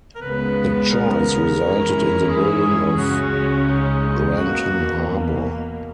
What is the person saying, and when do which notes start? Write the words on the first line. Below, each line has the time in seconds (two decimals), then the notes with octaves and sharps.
The choice resulted in the building of Granton Harbour.
0.15 A#4
0.21 C#2 C#3 G#3 B3 B4
0.90 A#4
1.59 F#2 E3 G#3 C#4 E4
2.29 G#4
2.98 C#2 C#3 G#3 C#4 F#4
3.67 D#4
4.36 E2 B2 A#3 F#4